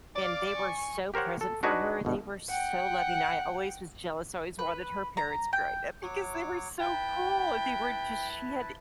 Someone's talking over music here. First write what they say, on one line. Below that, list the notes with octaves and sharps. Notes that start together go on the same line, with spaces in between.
and they were so present for her, they were so loving, I always was jealous, I always wanted her parents growing up because they were so cool, they were just she had
D5 F5 D6
G#5 C#6
G4 A#4 C5 C#5 F#5
A4
D4 D#4 F#4 B4 C#5 G#5
G1 B2
F#5 G5
B4
A#5
G5
F#3 C#5 D6
E4 B4 G5 A5